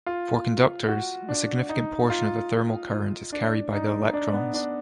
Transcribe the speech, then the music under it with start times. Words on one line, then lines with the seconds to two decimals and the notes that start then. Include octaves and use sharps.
For conductors, a significant portion of the thermal current is carried by the electrons.
0.06 F4
0.88 F#4
1.29 D4
1.69 D#4
2.10 F4
3.32 D4
3.73 D#4
4.13 D4
4.33 B3
4.54 D4